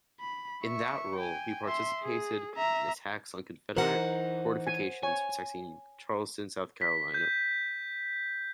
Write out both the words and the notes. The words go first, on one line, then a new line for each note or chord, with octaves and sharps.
In that role, he participated in attacks on Confederate fortifications protecting Charleston, South Carolina.
B5
E5 C#6
G5 G#5
E5 C6
G#4
E5 A#5
E3 D#4 A#4 C5 F#5
G#5
C#5 G#5
B6
G6